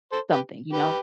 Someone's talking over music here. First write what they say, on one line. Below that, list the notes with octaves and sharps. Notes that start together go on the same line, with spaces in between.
something, you know?
A4 C5
G4 B4
G4 B4